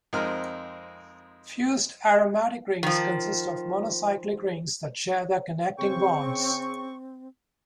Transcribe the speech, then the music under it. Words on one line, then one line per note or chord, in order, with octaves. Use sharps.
Fused aromatic rings consist of monocyclic rings that share their connecting bonds.
F2 G#3 C4 D#4 A#4 F6
D#3 F3
C#3 C4 G5 C#6